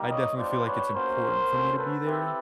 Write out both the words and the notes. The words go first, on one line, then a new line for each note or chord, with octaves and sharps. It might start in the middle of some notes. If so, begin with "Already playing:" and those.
I definitely feel like it's important for me to be there.
Already playing: G3 A#3 D#4 G4
C#5 D#5
G3 B3 D4 F4 C5 D5
B4 C#5
A#3 C#4 F#4 A#4 C5
A3 C#4 F#4
A4 B4
C4 E4 G4